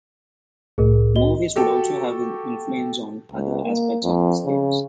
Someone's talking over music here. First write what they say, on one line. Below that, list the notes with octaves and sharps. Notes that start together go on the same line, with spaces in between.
Movies would also have influence on other aspects of his games.
C2 A2 G#4 A#4
F#4 D#5 G7
F#4 G4 A4
C#2
A#3
F2
C#3